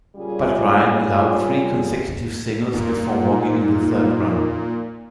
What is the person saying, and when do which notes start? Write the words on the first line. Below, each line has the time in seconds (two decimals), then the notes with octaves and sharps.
But Ryan allowed three consecutive singles before walking in the third run.
0.16 A#2 C#3 G3 C#4 F4 G#4
2.72 A#2 D#4